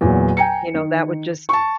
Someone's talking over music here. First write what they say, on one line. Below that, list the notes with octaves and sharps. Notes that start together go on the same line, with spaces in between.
you know, that would just
E2 A#2 F#3
G5 G#5 A#5 C#7
D#3
A5 C#6